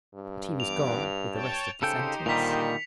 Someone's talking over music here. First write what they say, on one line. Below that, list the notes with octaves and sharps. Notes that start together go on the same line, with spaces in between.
But he was gone with the rest of the sentence.
G2
E3 B3 D6 F7
C#5 G5 A5
C#3 D#4 G4 A4 C5 G5 C#7
A#2 D3 D#3 G3 B6 F7